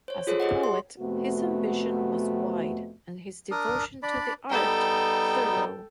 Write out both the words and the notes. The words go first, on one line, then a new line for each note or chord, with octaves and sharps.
As a poet, his ambition was wide and his devotion to the art thorough.
C5 C#5
F4 G#4 A4 C5 C#5
G4 G#4 D#5 F#5
C6
F2 C3 A3 B3 F#4
D4 A#4 D#6
D4 D5 B5
G3 B3 D#4 A4 G5